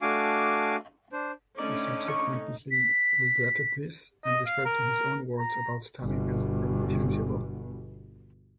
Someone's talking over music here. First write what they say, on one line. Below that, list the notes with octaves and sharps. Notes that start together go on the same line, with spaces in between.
He subsequently regretted this and referred to his own words about Stalin as reprehensible.
A3 D4 F#4 F5 G#5 D6
D4 C5
D3 A3 C#4 D#4 D5 D6
C#6
B6
D#5
F5
A#4
A#5
G1 B2